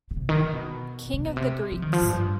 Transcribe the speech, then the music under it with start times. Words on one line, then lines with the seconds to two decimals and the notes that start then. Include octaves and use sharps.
"King of the Greeks".
0.11 B2
0.17 C3
0.29 D#3
0.42 D#3
0.53 B2
1.13 C3
1.25 B2
1.37 C3
1.72 F3
1.82 D#3
1.93 F3
2.01 G#2
2.09 G2